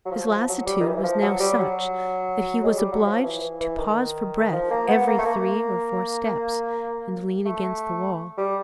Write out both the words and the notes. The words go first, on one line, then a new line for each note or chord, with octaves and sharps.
His lassitude was now such that he was obliged to pause for breath every three or four steps, and lean against the wall.
F#3
F3
F3
F#3
G3
D#3
E3
E3
F3
F#3
G3
F#3
G#3
G3
F#3
F3
E3
E3
E3
D#3
F3
A#3
B3
A#3
A3
A#3
A3
G3